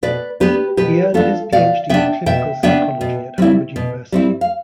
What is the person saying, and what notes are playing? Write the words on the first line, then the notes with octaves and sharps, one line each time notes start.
He earned his Ph.D. in clinical psychology at Harvard University.
B2 B4 D5
B3 D4 G4 B4
B2 G4 B4
B3 D4 F4 A4
B2 D5 F5
B3 D4 E5 G5
B2 E5 G5
B3 D4 E5 G5
B2
G3 C4 E4
B2
G3 C4 E4
F5